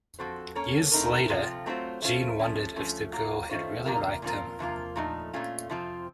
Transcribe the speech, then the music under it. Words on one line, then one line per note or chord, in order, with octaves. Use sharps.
Years later, Jean wondered if the girl had really liked him.
F3 C4 F#4 A4 C5
A#3 C#4 A4 C#5
A2 A3 C4 D#4 A#4
C3 F3 C4 F4 A4
F#3 A3 C4 F4 C5
A3 C#4 F4 C5
F3 A3 C#4
F3 A3 C#4
F#3 A#3 F4 A#4
D#3 A3 C#4 F4 C5
C3 F3 A#3 F4 A#4
A#2 F3 C4 F4 A#4
C3 F3 A#3 F4
A#2 F3 A3 D#4
A#2 A3 C#4 F4
C3 F3 C4 F4 C5